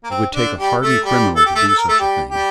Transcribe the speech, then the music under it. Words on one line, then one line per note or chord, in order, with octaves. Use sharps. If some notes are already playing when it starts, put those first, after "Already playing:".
It would take a hardened criminal to do such a thing.
A#3
C4
D3 D4
G3 G4
A3 A4
G3 G4
A4
G4
A3 A4
A4
A#4
A3 A4
G3 G4
G3 G4